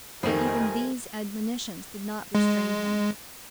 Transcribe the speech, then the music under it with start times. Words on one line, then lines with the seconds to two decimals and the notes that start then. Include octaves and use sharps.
But even these admonitions did not restrain him.
0.23 F2 D#3 F3 G3 A3 A#4 G#5
2.35 G#3